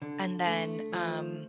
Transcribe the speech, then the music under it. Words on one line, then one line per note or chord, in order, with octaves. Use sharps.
And then, um,
D3
A3
F3